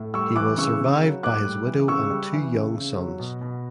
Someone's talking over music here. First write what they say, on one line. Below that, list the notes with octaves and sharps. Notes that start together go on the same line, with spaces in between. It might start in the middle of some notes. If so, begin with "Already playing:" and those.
He was survived by his widow and two young sons.
Already playing: A2
G3 C#6 E6
E3 D6 F#6
C#3 C#6 E6
C#3
F#3
A2 D6 F#6
G3
E3
C#3 C#6 E6
G3
E3
C#3
C#3
F#3
B2
B2